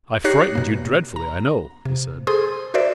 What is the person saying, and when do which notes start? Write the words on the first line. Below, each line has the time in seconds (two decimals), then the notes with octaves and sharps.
"I frightened you dreadfully, I know," he said.
0.24 D#4 G4 C#5 F#6 A#6 C7
0.55 B2 A#3
1.16 A#5
1.85 C3
2.27 G#4 A4 C5 C6 D#6
2.74 F#4 A#4 C5 D5 E5